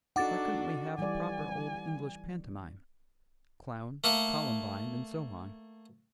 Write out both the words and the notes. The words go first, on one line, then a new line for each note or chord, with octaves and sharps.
Why couldn't we have a proper old English pantomime--clown, columbine, and so on.
D4 D#4 F#4 A4 F#5 D6 A6
E3 G3 D5 G#5
A3 A#3 A4